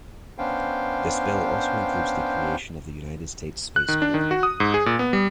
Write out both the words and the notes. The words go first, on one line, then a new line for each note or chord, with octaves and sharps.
This bill also includes the creation of the United States Space Corps.
B3 C#4 D4 C5 F5 G5
F#6
D#3
D4
D#3
F#4
D#6
G#2
G#4
A#2
B3
G3